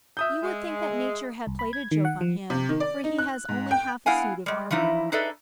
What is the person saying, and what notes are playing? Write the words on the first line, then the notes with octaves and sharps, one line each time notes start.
You would think that Nature had played a joke on him, for he has only half a suit of armour.
E5 D#6 G6
G#3
C2
B5
G#6
D#3
F#5
F3
C3
D#3
D5
D#4
F#6
G#2
G5
B3 E4 F5 F#5 G#5
G3 G#3
E3 F3 D#4 E4
D#4 G#4 A4 B4 D5 E5